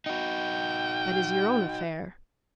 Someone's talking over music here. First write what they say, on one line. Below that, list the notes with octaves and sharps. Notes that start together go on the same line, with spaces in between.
"That is your own affair."
D#4 F#4 G5